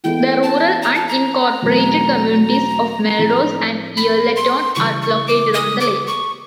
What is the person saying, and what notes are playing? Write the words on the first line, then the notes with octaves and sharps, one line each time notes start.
The rural unincorporated communities of Melrose and Earleton are located on the lake.
E3 G#3 B3 E4 A4 G5
A5
A#5
A5
A#5
E2 B2 F#3 A3 C4
A2 F3 G#3 C4 E4
B5
C6
C#3 E3 G3 C#6
C#6
D6
D#6
D6
C#6